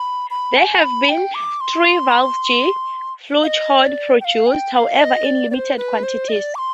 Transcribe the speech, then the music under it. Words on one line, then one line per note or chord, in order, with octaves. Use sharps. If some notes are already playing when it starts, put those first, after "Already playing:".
There have been three valve G Flugelhorns produced, however in limited quantities.
Already playing: B5
B5
G#5
B5
G5
D6
C6
F5
D#5
D5
G5
F5
G#5
G5
G5
F5
D#5
D5
D5
C5
B4
C5
D#5
D5
D6
C6